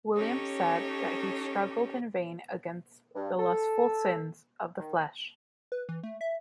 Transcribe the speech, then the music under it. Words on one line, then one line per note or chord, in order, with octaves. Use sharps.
William said that he struggled in vain against the lustful sins of the flesh.
C#4 D#4 G4 A4 C#5
G2
A4
D#3
B4
E3
A3
E5